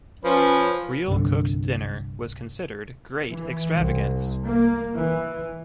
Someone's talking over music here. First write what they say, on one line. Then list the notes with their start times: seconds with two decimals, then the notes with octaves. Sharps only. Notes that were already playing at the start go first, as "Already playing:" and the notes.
Real cooked dinner was considered great extravagance.
0.24 F3 C#4 B4
1.08 G1 C2 D3
3.32 E3
3.74 C2
4.44 A#3
4.92 E3